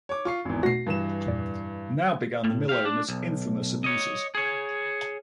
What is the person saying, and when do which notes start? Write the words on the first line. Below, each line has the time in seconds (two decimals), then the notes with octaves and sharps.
Now began the mill owners infamous abuses.
0.09 C#5 D6
0.25 F4 C#6 C7
0.45 G#1 E2
0.63 B2 A3 F#4 A#6 C7
0.86 G2 E3 E7
1.26 F2 A#2 D5
2.44 A2
2.69 G4 F5
2.85 D4
3.09 B1
3.84 C#5 D#5
4.35 G#4 C#5